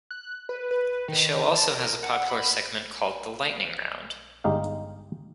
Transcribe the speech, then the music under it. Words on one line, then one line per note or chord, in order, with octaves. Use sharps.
The show also has a popular segment called "The Lightning Round".
F#6
B4
B4
D#3
A5
A#4
F#5
B5
G1 G#3 D#4 G4 F5